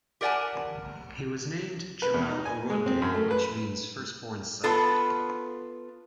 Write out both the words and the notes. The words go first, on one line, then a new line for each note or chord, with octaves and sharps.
He was named Jamael Oronde which means "firstborn son,".
G4 A#4 D5 F#5 G#5 A5
B4
E2
D#4
G#5
G#3
C4
F#2
A3
B4
B3 F4 A4